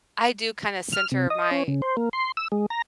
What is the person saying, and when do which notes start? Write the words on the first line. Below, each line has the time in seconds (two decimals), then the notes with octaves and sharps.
I do kinda center my
0.93 F6
1.12 C3
1.30 D#5
1.51 C#4
1.68 C#3
1.82 C5
1.97 A#3
2.13 C6
2.37 E6
2.52 G#3
2.70 A#5